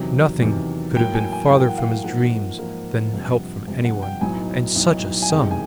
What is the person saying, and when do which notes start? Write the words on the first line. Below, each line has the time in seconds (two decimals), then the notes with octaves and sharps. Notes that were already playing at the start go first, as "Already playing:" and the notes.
Nothing could have been farther from his dreams than help from any one--and such a sum!
Already playing: E2 C3 D#3 F#3
0.42 E2 C3 D#3 F#3
0.96 A2 F#3 A#3 G5
1.14 G#5
1.32 G#5
1.50 A2 F#3 A#3 G5
1.60 G5
1.69 F#5
1.78 F5
2.04 G#2 F3 A#3 F#5
2.59 G#2 F3 A#3
3.12 G1 F2 C3
3.67 G1 F2 C3
3.85 F#5
4.02 G5
4.21 B1 A2 F#3 B3 D#4 G#5
4.75 B1 A2 F#3 B3 D#4
5.22 G#5
5.29 E1 E2 C3 D#3 G#3 G5
5.51 G#5